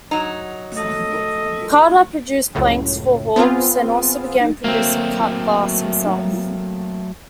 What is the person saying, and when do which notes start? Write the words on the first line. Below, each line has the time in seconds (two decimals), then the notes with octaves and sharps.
Carder produced blanks for Hawkes and also began producing cut glass himself.
0.11 F#3 D#4
0.77 A4 D#5
2.55 C#2 F#2 A2 C#3
3.36 B3 C4 F4 G#4
4.64 F#3 A3 A#3 C4